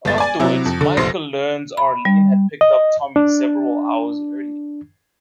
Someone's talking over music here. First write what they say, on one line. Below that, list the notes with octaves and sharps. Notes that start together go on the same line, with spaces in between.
Afterwards, Michael learns Arlene had picked up Tommy several hours earlier.
G1 A6
D5 G#5
C3 F#3 E4
F2
D3
F1 A#1 C5 C6 A#6 C7
B5
G3
D#5
D4